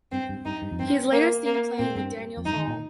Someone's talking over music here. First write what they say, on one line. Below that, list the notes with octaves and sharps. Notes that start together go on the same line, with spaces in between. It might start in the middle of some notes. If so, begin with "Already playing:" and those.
He is later seen playing with Daniel Hall.
G2 C4
G2
G2 D#4
G2
F2
G2 C4
A#3
A#3
A#2 C4
G2
F2
G2 D#4
D#3
A#2